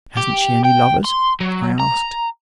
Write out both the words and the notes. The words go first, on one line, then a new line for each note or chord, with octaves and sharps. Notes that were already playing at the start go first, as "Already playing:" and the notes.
"Hasn't she any lovers?" I asked.
G4
G5
C6
F#3
A#5